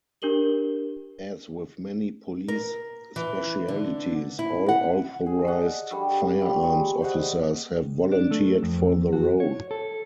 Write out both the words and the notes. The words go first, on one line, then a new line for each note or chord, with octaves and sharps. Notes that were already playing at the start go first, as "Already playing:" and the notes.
As with many police specialities, all Authorised Firearms Officers have volunteered for the role.
D4 G4 A#4 F#7 G7
A#4
E3
D3
E4
F#5
G#4
D5 D#5 F#5 A5
G3 A3 D4 C#6
F4 G4 D5 E5
G3 G#3 C#5
C5 D5 D#5 F#5
D4
A3
F2
F#4
C#5
A4